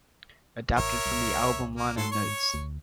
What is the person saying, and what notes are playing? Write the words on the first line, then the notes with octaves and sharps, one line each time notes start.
Adapted from the album liner notes.
A1 A#4 C#5 E5
C2
A#3
G#2 F#3 A4 C6
C#5 C#6
D2